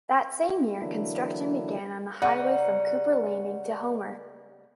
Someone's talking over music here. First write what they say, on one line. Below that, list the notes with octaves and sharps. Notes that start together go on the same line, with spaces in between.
That same year, construction began on the highway from Cooper Landing to Homer.
D3 E3 F#3 A#3 D4 E4
C#3 G3 D#4 F#5